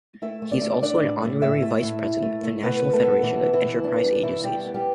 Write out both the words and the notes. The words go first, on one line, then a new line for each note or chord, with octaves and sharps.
He is also an honorary Vice-president of the National Federation of Enterprise Agencies.
A3 E4 E5
A3
D4 D5
A3
A3 D4 D5
A2
A3
A2 E4 E5
A3
A2
A2
A3
A3
B2 B3 B4
B3
A3 A4
B3
B2 E3 E4
B2
E3 E4
B2
B3 D4
G3 D4
B2 E3 E4
B2 G3 G4
B3
G3 G4